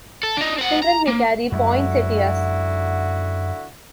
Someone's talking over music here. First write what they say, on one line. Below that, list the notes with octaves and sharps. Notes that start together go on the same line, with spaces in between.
Children may carry poinsettias.
A4
D4 D#4
C4 F#5
A#5
A#3
F#2 D3 G#3 E4 F#4